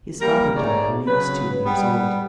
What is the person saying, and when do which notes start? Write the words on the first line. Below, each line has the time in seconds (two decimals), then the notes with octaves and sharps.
His father died when he was two-years old.
0.21 G3 A#3 A#4
0.56 G#2 A3 C#5 D5 A#5
1.07 C#3 F#3 B4
1.66 G3 B3